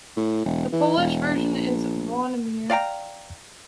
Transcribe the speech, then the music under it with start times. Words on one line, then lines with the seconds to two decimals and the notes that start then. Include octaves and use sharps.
The Polish version is Bronimir.
0.17 A2
0.45 E1
0.72 E3
0.97 E1
1.35 A#1
2.70 D5 F5 G5 A#5